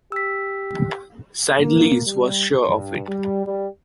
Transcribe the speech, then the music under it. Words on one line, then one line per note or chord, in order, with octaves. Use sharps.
Cydalise was sure of it.
G4 E6 B6
A#3
G3
G2
G3
G3